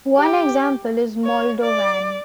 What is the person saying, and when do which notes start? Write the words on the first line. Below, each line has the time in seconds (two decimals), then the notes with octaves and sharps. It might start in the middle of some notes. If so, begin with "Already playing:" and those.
One example is Moldovan.
0.18 G4
1.25 C#5
1.61 D5